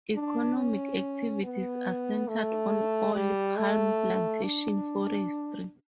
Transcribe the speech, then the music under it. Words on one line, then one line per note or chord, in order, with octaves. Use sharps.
Economic activities are centred on oil palm plantations, forestry.
D4
C#4
B3
A3
G3
A3
D4